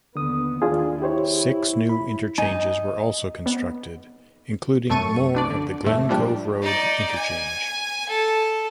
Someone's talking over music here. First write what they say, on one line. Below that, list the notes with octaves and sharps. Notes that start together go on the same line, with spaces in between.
Six new interchanges were also constructed, including more of the Glen Cove Road interchange.
D#2 D3 B3 D#6
D#2 D#3 D4 F4 G#4
E4 G4 C5 C#5
B5
D#4 G#5
B3
F#2 A3 A4 C#6 D#7
B1 D4 D5
D3
D#2 G#2 A3
A#2 F3 G3 D4
D#4 D5
G#5
A4